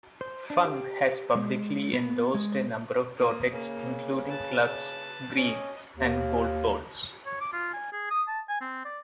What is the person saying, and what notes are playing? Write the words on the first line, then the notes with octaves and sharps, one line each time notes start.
Funk has publicly endorsed a number of products including clubs, greens, and golf balls.
C5
D4
G4
G#3
B3
G#3
A#3 D#6
C#3 A#3
B4 A5
C#4 D#5
D#2
C#5
D6
F4
G#5
G#4
D#6
A5
G#5
C4
D5